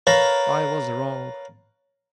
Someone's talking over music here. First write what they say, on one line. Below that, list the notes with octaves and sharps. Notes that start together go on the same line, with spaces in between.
I was wrong.
A#4 B4 C#5 F5 A5 A#5